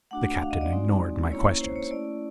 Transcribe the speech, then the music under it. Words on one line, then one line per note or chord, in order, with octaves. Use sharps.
The Captain ignored my questions.
A3 D4 F#4 F#5
F5
D#5
D5
G#3 C4 D#4 F#4
A#3 C#4 E4 C#5
C5
C#5
A3 C#4 E4 D5